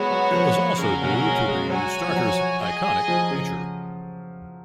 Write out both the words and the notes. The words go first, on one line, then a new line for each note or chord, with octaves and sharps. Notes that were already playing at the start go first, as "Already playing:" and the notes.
It was also due to the starters' "iconic" nature.
Already playing: G#3 B3 F#4 C#5 F#5
F#3
F3
C#3 C#4 F#4 A#4 F5
C#3
B2
F#3
G#3
G#3
F#3 F#4 C#5 G#5
F3
F#3
G#4 D#5 G#5
F3
C#3